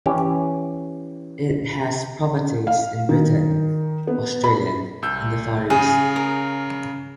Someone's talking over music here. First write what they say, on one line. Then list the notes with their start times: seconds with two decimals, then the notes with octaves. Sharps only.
It has properties in Britain, Australia and the Far East.
0.06 E3 C#4 G4
2.67 F5
3.09 D#3
4.07 B3
4.44 B5
5.02 C2 E6 G6
5.70 C#3 G#4
6.16 A#4